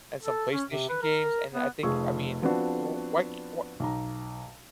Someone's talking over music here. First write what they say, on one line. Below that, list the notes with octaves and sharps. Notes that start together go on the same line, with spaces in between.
and some PlayStation games, and I think I mean, w why c wha
A4
C#4
C3
B4
A#4
B3
F1 F3 G#4 C#6 E6
F3 B3 C4 D4 F#4
B1 A#5